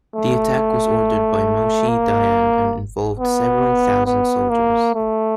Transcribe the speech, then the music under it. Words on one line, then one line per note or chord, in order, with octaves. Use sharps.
The attack was ordered by Moshe Dayan and involved several thousand soldiers.
A3
A#3
B3
B3
A#3
A3